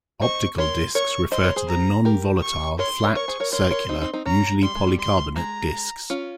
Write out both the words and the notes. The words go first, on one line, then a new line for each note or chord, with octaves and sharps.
Optical discs refer to the non-volatile flat, circular, usually polycarbonate discs.
C5 D#5 C#6
A#4 C#5 C6
A#4 C#5 C#6
C5 D#5 C6
A#4 C#5
G#4 C5
A#5
G4 A#4
C#6
A#4 C#5 C6
A#4 C#5
A#4 C#5 C#6
G#4 C5
A#4 C#5
A#4 C#5 C6
A#4 C#5
C4 D#4
C4 D#4
C4 D#4
C#4 A#5
G3 C6
G#3
G3
C6
G#3 A#5
C#4 F4